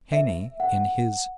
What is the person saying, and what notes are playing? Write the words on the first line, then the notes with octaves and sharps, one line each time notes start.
Heine in his.
E5
F#5